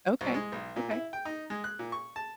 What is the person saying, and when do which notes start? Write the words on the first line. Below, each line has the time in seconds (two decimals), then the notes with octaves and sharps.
Okay, okay.
0.21 C2
0.34 G#3
0.52 B1
0.76 A#2
0.91 E4
1.13 G5
1.25 D#4
1.50 G#3
1.64 F#6
1.79 A#2
1.92 C#6
2.16 A5